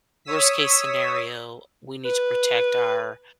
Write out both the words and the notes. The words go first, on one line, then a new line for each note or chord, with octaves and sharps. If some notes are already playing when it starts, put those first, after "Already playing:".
"Worst-case scenario, we need to protect our
C#5 D#6 E6 B6
B4